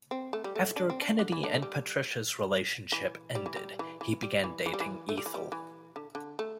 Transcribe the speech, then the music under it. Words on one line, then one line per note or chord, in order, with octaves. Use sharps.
After Kennedy and Patricia's relationship ended, he began dating Ethel.
C4
A3
G3
A3
D4
C4
D4
D3
E3
D3
A3
G3
E3
G3
E3
G3
E3
E3
G3
E3
E3
G3
E3
A3
G3
E3
G3
E3
D3
D3
A3